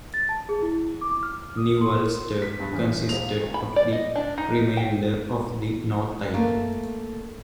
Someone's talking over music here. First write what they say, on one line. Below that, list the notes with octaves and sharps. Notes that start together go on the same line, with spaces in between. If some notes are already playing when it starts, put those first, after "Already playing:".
New Ulster consisted of the remainder of the North Island.
A6
A5
G#4
E4
D6
F6
D#6
C6
A#4
B6
G2
A1
F7
B5
D5
D#5
D4
D#4
G5
A3 A#3 A#4